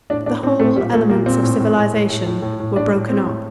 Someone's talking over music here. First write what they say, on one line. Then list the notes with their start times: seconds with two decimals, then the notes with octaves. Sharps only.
The whole elements of civilization were broken up.
0.10 A2 D4
0.26 A2 D4
0.43 A2 C4
0.60 A2 A3
0.76 A#2 G3
0.93 A#2 A3
1.09 A#2 A#3
1.26 A#2 C4
1.43 A2
1.60 A2
1.76 A2
1.93 A2
2.09 A2
2.26 A2
2.42 A2
2.60 A2
2.76 A2 D4
2.93 A2
3.09 A2 C4
3.26 A2